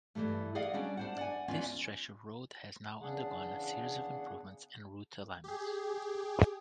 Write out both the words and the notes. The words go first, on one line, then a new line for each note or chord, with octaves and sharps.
This stretch of road has now undergone a series of improvements and route alignments.
G2 C3 E3 G3 A3
G#4 D5 D#5 F5 F#5
G3 C#4 D4 F#4
D4 C5 F#5
D5 F#5 G#5
E2 C#4 F4 D5 G#5
E2 C#3 D4 G#4 F#5
G4 G#4